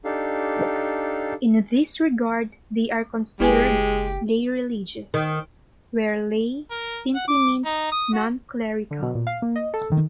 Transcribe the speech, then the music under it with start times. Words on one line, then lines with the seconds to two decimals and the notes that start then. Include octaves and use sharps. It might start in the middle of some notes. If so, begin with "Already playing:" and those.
In this regard they are considered "lay religious," where "lay" simply means "non-clerical".
0.05 D4 D#4 G4 A4 F5
3.40 F#1 G#3 E4 G4 B4 G#5
5.14 D#3
6.71 A#4
7.15 F#5
7.28 D6
7.65 D#4
7.92 D#6
8.13 F#4
8.91 D3
9.02 B2
9.15 A#2
9.27 F5
9.42 A#3
9.56 D#5
9.74 A4
9.92 D#3